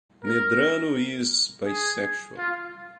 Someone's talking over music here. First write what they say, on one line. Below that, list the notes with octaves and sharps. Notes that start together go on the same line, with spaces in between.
Medrano is bisexual.
A#4
G#4
F4